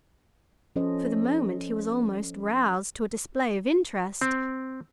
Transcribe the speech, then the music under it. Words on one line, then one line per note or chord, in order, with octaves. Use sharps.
For the moment he was almost roused to a display of interest.
F3 C#4 A4 C5 D#5
C4